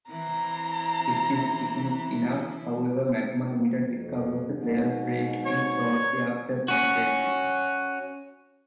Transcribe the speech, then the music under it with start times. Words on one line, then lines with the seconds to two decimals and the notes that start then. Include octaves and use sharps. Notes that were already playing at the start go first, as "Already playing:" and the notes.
If this isn't enough, however, Magma Limited discovers the player's break-in shortly after penetration.
0.10 E3 C4 E4 A#5
3.90 F2
4.51 G#2 B2
5.45 C#5
6.68 C#4 F#4